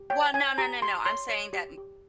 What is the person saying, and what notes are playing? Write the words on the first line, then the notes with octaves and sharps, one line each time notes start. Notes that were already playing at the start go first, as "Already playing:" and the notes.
well, no, no, no, no, I'm saying that
Already playing: G4
C#5 G5
C#5 G#5
G4 A#5
G4 C6
C#5 C6
C#5
G4
G4